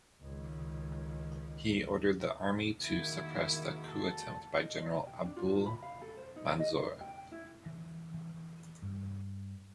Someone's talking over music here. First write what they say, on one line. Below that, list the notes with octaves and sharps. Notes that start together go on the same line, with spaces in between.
He ordered the army to suppress the coup attempt by General Abul Manzoor.
C#2 D#3
D#3 G#3 A#3 E4 F#4
A4
D#5
G5
D4
F4
B5
F5
A4
C5
D#4
D#5
G5
E4
E3
E3
G2